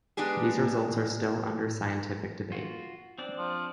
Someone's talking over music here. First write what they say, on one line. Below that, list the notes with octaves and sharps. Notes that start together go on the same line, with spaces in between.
These results are still under scientific debate.
G#3 B3 D4 G4 G#4
F4 F#4
C4 D4 D5
F3